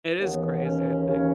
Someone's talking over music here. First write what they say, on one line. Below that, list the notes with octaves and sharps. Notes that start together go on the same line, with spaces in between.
It is crazy, I think,
D#2 C#3 E3 B3
C#4
D#2 C#3 E3 C#4